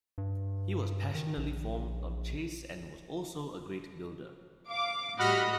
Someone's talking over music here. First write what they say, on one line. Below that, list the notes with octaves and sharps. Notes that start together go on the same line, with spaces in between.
He was passionately fond of the chase and was also a great builder.
G2
D#3
A#1
F5 D6
A2 G3 F#4 D#5 F#5 B5 F6